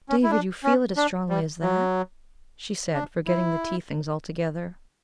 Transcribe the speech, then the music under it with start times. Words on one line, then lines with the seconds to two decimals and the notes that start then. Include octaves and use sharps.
"David, you feel it as strongly as that!" she said, forgetting the tea things altogether.
0.09 C#4
0.23 E4
0.30 D4
0.64 C#4
0.97 D4
1.30 G3
1.62 F#3
2.94 D4
3.26 E4